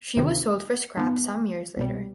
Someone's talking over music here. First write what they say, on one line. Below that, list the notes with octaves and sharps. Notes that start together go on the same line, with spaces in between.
She was sold for scrap some years later.
D2 C3 D#3
G#2 D#3 B3
C2 B2 G3